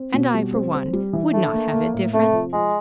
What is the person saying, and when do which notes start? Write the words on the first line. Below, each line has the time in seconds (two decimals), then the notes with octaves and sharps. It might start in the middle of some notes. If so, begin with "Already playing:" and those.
And I, for one, would not have it different.
Already playing: C4
0.14 B2
0.34 G3
0.54 C4
0.73 C4
0.93 G3
1.13 E3
1.34 A3 D4
1.53 A#3
1.73 A#3
1.94 A2
2.14 C3 A3
2.33 F3
2.53 F3 G#3